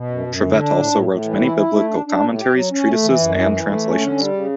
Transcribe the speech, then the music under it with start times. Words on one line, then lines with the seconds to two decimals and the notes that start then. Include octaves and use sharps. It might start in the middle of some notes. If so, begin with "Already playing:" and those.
Trivet also wrote many biblical commentaries, treatises and translations.
Already playing: B2
0.10 F#2
0.27 F#2
0.43 D3
0.60 D4
0.76 A2
0.92 A2
1.09 A2
1.24 E3
1.40 E4
1.57 E4
1.73 A3
1.90 D4
2.06 D4
2.21 A2
2.38 G4
2.54 F#3
2.71 C#4
2.87 A3
3.02 E3
3.19 F#2
3.35 E3
3.52 E3
3.68 A3
3.84 C#4
4.00 D3
4.16 G3
4.33 C#3